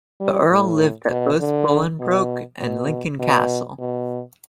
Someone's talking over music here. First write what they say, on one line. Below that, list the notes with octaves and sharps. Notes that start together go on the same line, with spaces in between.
The Earl lived at both Bolingbroke and Lincoln Castle.
G3
A2
B2
D3
B2
B2
B2
B2